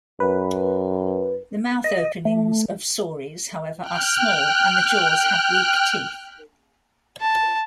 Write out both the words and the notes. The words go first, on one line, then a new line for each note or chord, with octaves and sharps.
The mouth openings of sauries, however, are small and the jaws have weak teeth.
F#2 B4
D#5
A3
G5 F6 F#6
A5